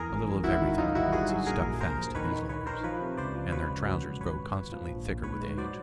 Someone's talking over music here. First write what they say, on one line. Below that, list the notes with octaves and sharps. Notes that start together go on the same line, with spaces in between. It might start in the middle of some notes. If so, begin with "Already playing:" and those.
A little of everything in the woods is stuck fast to these loggers, and their trousers grow constantly thicker with age.
Already playing: E2 G#4 A#4
G#1
F#2
G#1 E4 F#4
D#3
F#3 D#4 F4
G1 E4 F#4
G2 F#4 G#4
F#3
A#1 G#4 A#4
A#1
A#1 A#4 C5
A#1
D#3 B4 C#5
D#3
D#3 B4 C#5
D#3 A#4 C5
F3 B4 C#5
C3
C#2 C5 D5
F3
B2 B4 C#5
C#2
F#3
C#2
G#1 B4 C#5
G#1
G#1
F3
A#1
A#1
G#2 B4 C#5
G#2
F#3 C5 D5